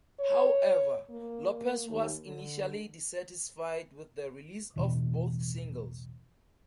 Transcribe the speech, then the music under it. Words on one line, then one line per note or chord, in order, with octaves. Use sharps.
However, Lopez was initially dissatisfied with the release of both singles.
C#5
A#3
D#2
D3
A1 E2 B2 E3